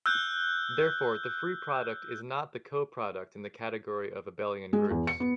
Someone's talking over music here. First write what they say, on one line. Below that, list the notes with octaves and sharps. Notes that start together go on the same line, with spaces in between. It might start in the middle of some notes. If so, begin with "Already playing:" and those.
Therefore, the free product is not the coproduct in the category of abelian groups.
E6 F#6 G6
G#3
E2
C#7
B3